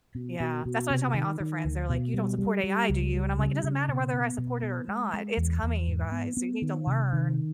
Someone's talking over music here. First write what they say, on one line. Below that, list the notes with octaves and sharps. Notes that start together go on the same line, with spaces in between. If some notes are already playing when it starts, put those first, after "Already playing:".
Yeah. That's what I tell my author friends, they're like, "You don't support AI, do you?" And I'm like, "It doesn't matter whether I support it or not, it's coming, you guys, so you need to learn."
B2
B2
B2
C3
D#3
D#3
D2
B2
G3
G3
G3
C#2
G3
C#3
C#3
B2
B3
B2
B3
G#3
G#3
E2
E2
G#2
B3
B3
D#3
C3
D#3